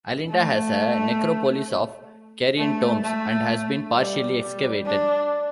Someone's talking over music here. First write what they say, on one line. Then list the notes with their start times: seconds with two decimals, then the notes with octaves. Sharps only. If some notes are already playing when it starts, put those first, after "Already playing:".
Alinda has a necropolis of Carian tombs and has been partially excavated.
0.30 A3
2.58 A3
3.03 A3
3.94 G3
4.41 G3
4.85 D4